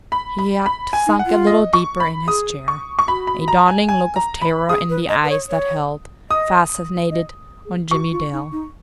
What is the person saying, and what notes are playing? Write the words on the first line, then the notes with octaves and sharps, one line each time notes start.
He had sunk a little deeper in his chair--a dawning look of terror in the eyes that held, fascinated, on Jimmie Dale.
B5
B5
B5
G#5
D#4
F#5
F4
D#5
C#6
B5
G#4 D#6
C#6
C#6
F#4 B5
B5
A#5
G#5
G#5
A#5
B5
G#4 D#6
B4
D#5
B4
C#5
C#5
D#5 D#6
D#5
G#4
F#4 C#6
F4
D#4
D#4